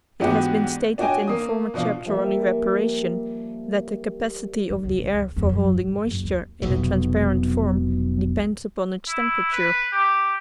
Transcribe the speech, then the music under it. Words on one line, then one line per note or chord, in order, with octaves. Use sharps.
It has been stated in a former chapter on evaporation that the capacity of the air for holding moisture in a transparent form depends upon its temperature.
G#2 E3 B3 D4 F#4 G4
D4 F#4 C#5 D#5 G5 G#5
A#3 D#6
B2 F3 D4 F5
F3 G3 A#3 E5
D#3
C#2
C#2
E2
E2
F#2
G#2
A2
F#1
D#2
F1 B1 B2
E4
B4
G4